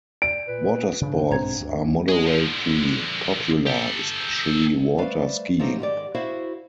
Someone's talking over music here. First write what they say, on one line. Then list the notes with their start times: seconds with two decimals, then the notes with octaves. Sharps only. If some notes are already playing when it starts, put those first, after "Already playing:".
Water sports are moderately popular, especially water skiing.
0.22 D5 D7
0.47 A#2 B4
1.01 G2 C#3 D4
1.31 B1 G#2 C4 C5 A#5 G#6
1.60 D2
2.09 G#4 D#5
2.27 D3 F3
3.66 G4 A4
4.98 G3 A3 B4 C5 D5 F5
5.59 F3 F#3 A3 B3 D#4 G4
5.79 G#2 D#3 G4 D5
6.15 E4 F#4 C5 E5 F5